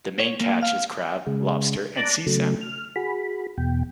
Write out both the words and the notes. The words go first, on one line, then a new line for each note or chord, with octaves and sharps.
The main catch is crab, lobster and sea salmon.
C#5
A#3
F5
C#3 G#3
D5 A5 A#5 D6 F#6
C#3 F#3 A3
F6
F#4 G#4 B5
E2 B2 G5